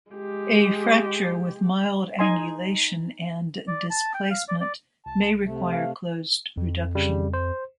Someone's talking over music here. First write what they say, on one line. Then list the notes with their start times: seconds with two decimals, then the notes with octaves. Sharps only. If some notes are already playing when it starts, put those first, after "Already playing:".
A fracture with mild angulation and displacement may require closed reduction.
0.11 G#3 G4
2.19 D#4 D#5 G#5 C6
3.68 D5
3.90 A5
4.14 G5
4.31 F5
4.48 D5
4.60 D5
5.06 C2 A5
5.43 C3 A3
5.73 F5
6.57 F2
6.95 C#3 G3
7.34 C5